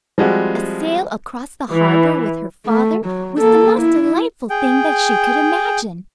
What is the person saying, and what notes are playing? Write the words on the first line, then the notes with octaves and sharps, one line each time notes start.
A sail across the harbor with her father was the most delightful thing that she could imagine.
F3 G3 G#3 C4 F#4
E3
A3
F#3
A#3 A4
E4
G#4 G5